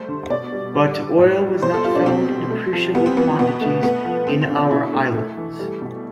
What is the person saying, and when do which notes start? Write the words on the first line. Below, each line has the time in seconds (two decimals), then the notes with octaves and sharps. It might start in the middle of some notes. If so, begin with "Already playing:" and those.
But oil was not found in appreciable quantities in our islands.
Already playing: G3 A3 C5
0.08 D3
0.30 B2 D5
0.52 G3
0.74 G3
0.96 D3
1.19 A2
1.41 G3
1.62 B2 C5
1.74 A4
1.84 G3 F4
1.95 D4
2.06 B2 C4
2.29 G3
2.50 A3
2.73 F3
2.95 G3 B3
3.06 C4
3.17 E3 B3
3.39 B2 B3
3.61 A3
3.83 A3 B3
4.05 F3
4.27 A3 C4
4.42 C4
4.49 D3
4.56 D4
4.71 B2 E4
4.93 A3
5.15 A3
5.37 E3
5.59 G3
5.81 B2